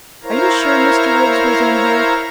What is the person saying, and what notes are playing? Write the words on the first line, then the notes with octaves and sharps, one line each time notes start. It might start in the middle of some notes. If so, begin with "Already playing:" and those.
"Are you sure Mr. Woods was in here?"
E4 A#4 C5 C#5 F5 A#5